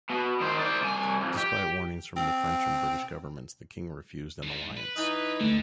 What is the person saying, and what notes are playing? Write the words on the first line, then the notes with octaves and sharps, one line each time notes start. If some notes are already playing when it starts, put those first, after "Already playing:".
Despite warnings from the French and British governments, the king refused an alliance.
B2
D#3 C5
C5 D5
C2 G#5
F2
G4
C4
F2 G#2
B4
E3 D#4
D2 D3 A3